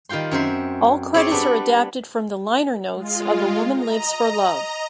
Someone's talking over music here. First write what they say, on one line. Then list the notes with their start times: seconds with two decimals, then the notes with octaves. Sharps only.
All credits are adapted from the liner notes of "A Woman Lives for Love".
0.09 D#3 G3 F4 G5 C6
0.31 F#2 C4 C5 E5
1.14 C4 G#4 C#5 D5
1.31 G3 B3 D4
2.94 G#3 F4
3.73 D#5 A#5